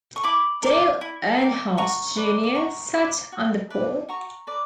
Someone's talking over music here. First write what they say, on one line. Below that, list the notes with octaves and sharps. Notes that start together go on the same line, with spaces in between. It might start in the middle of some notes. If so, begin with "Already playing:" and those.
Dale Earnhardt, Junior sat on the pole.
C#6
E4 B5 D6
A#4 D5
E4
A#4 D5
F#4 A#5 C#6
B4 D5
D6
F#4 A#5 C#6
B4 D5
F#4
B4 D5
F#4 A#5 C#6
B4 D5